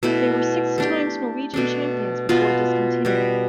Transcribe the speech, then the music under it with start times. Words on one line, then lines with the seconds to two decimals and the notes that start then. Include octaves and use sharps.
They were six times Norwegian Champions before discontinuing.
0.03 B2 A3 E4
0.78 A3 D4 G4
1.54 B2 A3 D4
2.29 B2 B3 F4 B4
3.05 B2 G3 B3